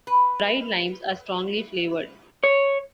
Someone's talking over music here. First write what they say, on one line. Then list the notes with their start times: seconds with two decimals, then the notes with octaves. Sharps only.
Dried limes are strongly flavored.
0.07 B4
2.44 C#5